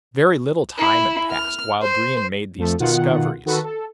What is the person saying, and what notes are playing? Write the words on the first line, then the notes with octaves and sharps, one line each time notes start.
Very little time had passed while Brion made these discoveries.
E4
F6
C5
F2 F3 A3
B2 D#3 F4 F#5
D#3 F#4 A4 B4
A4